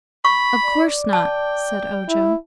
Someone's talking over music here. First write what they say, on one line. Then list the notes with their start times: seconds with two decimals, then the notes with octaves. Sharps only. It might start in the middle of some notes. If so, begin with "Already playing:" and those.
"Of course not," said Ojo.
0.25 B5 C#6
0.65 D5
1.13 G5 A5
2.09 E4